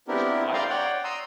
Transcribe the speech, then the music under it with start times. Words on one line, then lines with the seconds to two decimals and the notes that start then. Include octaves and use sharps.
There's no lifeguard,
0.08 B3 C4 D4 E4 G4 A#4
0.54 D5 F5 G5 A#5 C6
0.69 C#5 D5 F#5 G5
1.04 A#5 C6 D#6 E6